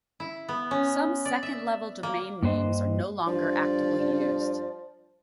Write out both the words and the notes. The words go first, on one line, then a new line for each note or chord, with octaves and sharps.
Some second-level domain names are no longer actively used.
E4
B3
C#4
D5
E5
A#3
G2 A#3 B4 C5 D#5
G2 F3 D5